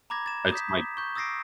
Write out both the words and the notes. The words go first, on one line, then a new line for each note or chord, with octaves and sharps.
that's my
A#5 B5 D6 G#6 A#6
A6 E7
D#6 G6 B6
B6
C#6 G6
D#6 E6 A6 A#6 C7 D7